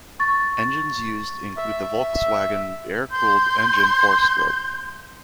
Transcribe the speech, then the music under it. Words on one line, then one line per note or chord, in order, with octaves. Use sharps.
Engines used include the Volkswagen air-cooled engine four-stroke.
C#6 A6
E5
C6 G6